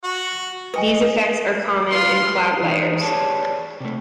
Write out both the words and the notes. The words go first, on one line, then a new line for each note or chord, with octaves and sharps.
These effects are common in cloud layers.
F#4
B4 D#5 G5 G#5
F4 B4 C6
E3 D#4
G4 G#4 B4 C#5 D5 A5
C3 A3